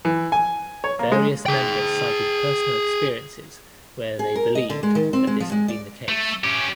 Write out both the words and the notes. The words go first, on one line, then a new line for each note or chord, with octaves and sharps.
Various members cited personal experiences where they believed that this had been the case.
E3
G#5
C#5
A#3
G#3
G#4 G5
G#4
A#4
D#5
D3
G#3
D#3
C4
G#3
F3
G#3
D5
A3
C#4 G4